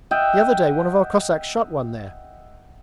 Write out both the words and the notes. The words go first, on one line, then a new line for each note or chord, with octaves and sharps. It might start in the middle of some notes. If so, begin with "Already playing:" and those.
The other day one of our Cossacks shot one there.
D#5 E5 F#5 G5